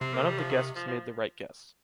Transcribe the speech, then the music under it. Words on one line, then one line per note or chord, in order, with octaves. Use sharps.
None of the guests made the right guess.
C3 C4
A#3
G3
F3
D#3
F3
F3